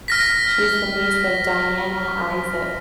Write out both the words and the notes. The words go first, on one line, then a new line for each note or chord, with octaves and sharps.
She is the niece of Diana Isaac.
F6 A#6 B6